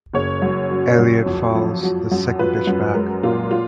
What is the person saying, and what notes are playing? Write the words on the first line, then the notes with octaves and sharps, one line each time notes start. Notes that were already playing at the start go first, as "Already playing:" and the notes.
Elliot fouls the second pitch back.
F#1 C#5
F#2
F#3
F#2
F2
F3
F#3
F#2
F3 B4
F#2
G#3 A#4
A#2 F4
F4